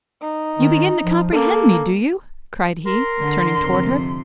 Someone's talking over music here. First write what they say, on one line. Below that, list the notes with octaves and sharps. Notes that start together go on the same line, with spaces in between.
"You begin to comprehend me, do you?" cried he, turning towards her.
D#4
D#3
F3
A#3 A4
A#4 C6
D3
F2 C3